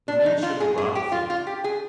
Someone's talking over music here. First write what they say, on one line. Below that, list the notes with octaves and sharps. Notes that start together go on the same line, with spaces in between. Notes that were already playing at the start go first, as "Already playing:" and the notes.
The mince should be rather thick.
D4
D#4
F4
G#4
G#4
G4
F4
F4
G4
G#4